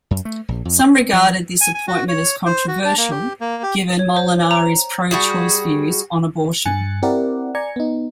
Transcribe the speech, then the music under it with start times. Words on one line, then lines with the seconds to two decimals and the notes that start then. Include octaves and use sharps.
Some regarded this appointment as controversial, given Molinari's pro-choice views on abortion.
0.11 F#2
0.25 A3
0.49 A#1
0.65 F2
0.80 C4
1.13 F3
1.61 G#5
1.75 G#5
1.88 F#4
2.08 C#5
2.46 C5
2.68 F#4
2.85 D4
2.98 A#3
3.11 G4
3.41 A#3
3.63 G4
3.99 C#5
4.17 C5
4.51 A#5
5.11 G3 F#4 G#4
6.66 G2 G#5 F#6 A6 C#7
7.02 C4 E4 G4 A#4 D5 F#5
7.55 D5 G#5 A#5 G#6 C#7
7.76 B3 D#4